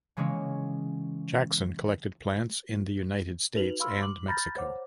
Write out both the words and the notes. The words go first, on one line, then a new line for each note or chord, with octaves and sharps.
Jackson collected plants in the United States and Mexico.
C#3 E3 G#3 A#3 C#4
D#4 F#4 B4 F7 F#7
F5 B5 C6 E6 F6
D6 F#7
A#5 B5 F6 G6 A6 A#6
C5 C#5 F#5 D6